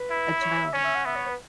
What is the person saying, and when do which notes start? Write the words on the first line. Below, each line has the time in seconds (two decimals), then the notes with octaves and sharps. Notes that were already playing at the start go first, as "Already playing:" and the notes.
a child involved.
Already playing: B4
0.10 E4
0.42 C#5
0.58 E5
0.74 C#4 C#5
0.84 E5
0.95 F#5
1.05 B3 E5
1.16 C#5
1.27 B4